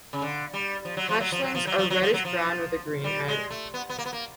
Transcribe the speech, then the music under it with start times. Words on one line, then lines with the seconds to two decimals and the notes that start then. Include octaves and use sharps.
Hatchlings are reddish brown with a green head.
0.13 C#3
0.22 D3
0.53 G3
0.85 F3
0.97 F#3
1.09 F3
1.20 F#3
1.32 F3
1.44 F#3
1.55 F3
1.67 F#3
1.78 F3
1.90 F#3
2.02 F3
2.13 F#3
2.25 F3
3.04 G3
3.28 G#3
3.50 A3
3.74 B3
3.89 B3
3.98 A#3
4.06 B3
4.13 A#3